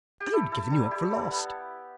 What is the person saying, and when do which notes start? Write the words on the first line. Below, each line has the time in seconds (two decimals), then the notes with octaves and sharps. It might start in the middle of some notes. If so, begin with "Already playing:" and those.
I had given you up for lost.
0.20 G4
0.33 E4 A4
0.52 E4 A4
0.71 G3 A4
0.91 E4 G4
1.10 G3 A4
1.30 B3